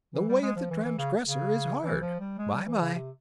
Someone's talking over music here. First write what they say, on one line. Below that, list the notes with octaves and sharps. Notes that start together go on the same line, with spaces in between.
The way of the transgressor is hard. By-by!
E3
G3
G#3
F3
E3
E3
C#3
C#3
E3
F3
G3
G#3
G3
E3
C#3
C3